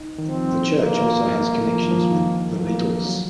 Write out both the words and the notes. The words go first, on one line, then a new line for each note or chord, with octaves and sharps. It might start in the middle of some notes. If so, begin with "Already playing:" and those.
The church also has connections with The Beatles.
Already playing: D#4
D#3
F3 C4
A#3
F3
D#3
F3
D#3
F#3
F3 A#3
F#3